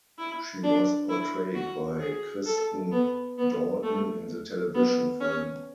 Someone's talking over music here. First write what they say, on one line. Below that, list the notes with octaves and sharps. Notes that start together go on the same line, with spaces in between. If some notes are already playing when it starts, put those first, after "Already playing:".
She was portrayed by Kristen Dalton in the television film.
E4
D4
E4
F#4
G#4
A4
B3
B3
A3
B3
C#4